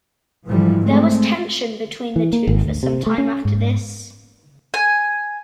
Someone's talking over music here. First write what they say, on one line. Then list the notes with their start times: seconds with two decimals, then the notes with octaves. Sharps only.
There was tension between the two for some time after this.
0.47 G#2 D3 E3 F3 G3
0.84 G#3 A3 C4
2.16 E3
2.33 A#3
2.47 G#1
2.64 D2
2.83 C3
3.06 A3
3.18 C#4
3.45 G#2
4.74 G#5